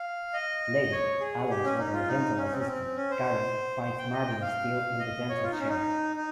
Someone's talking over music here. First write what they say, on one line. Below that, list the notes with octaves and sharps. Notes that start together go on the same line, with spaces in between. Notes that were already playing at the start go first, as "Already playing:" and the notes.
Later, Alan's other dental assistant, Karen, finds Marvin still in the dental chair.
Already playing: F5
D#5
C#5
G#4
G4
C#4
D#4
F4
D#4
C#4
C4
C#4
C4
C#4
C5
C5
G5
D#5
G5
F5
D#5
C#5
F4
D#4
C#4
D#4
D#4